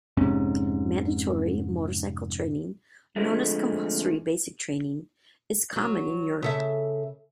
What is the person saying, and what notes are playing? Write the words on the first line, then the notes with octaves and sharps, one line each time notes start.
Mandatory motorcycle training, known as Compulsory Basic Training, is common in Europe.
F1 G#2 C3 C#4
C2 D3 F3 G#3 A3
F#3
C#3 A4 E5